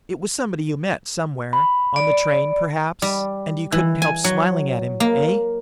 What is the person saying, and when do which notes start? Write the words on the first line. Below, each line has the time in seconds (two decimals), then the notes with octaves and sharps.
It was somebody you met somewhere--on the train, perhaps, and you couldn't help smiling at him, eh?
1.53 B5
1.96 D5
3.02 G3
3.72 E3
4.02 G#5
4.24 F#3
5.00 A#3